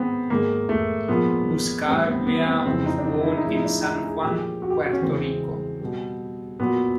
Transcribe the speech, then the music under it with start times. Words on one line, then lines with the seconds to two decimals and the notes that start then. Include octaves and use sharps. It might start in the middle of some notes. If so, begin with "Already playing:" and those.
Buscaglia was born in San Juan, Puerto Rico.
Already playing: G#2 D#3 G#3 B3 C4
0.30 G#2 D#3 G#3 A#3
0.69 A3
1.08 A#2 F3 G#3 B3
1.87 A2 E3 G3 C4
2.07 B3
2.27 B3
2.46 C4
2.66 F2 C#3 E3 G#3 C4
2.86 D#4
2.98 D4
3.05 D#4
3.20 E4
3.25 D#4
3.37 D#4
3.44 A2 F3 G#3 E4
3.55 D#4
3.64 D4
3.84 D#4
4.04 G#4
4.23 A#2 F3 G#3 G4
4.62 F#4
4.70 G4
4.79 F#4
4.93 C#4
5.01 E2 C#3 E3 G#3 C4
5.81 B2 G3
6.59 A#2 F#3 B3